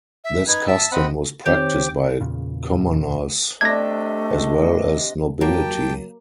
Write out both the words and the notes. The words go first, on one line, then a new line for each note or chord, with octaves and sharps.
This custom was practised by commoners as well as nobility.
E5
D#4 B4 G#6
E5 A5 E6
C4 D#5 F#5 B5
D#3 C4 D#4 G4 C5 C#5 G5 D6
E2 A#2 C#3
C3 A3 D4 D#5 E5 G#6 A#6
F#3 A#3 G4 G5 A5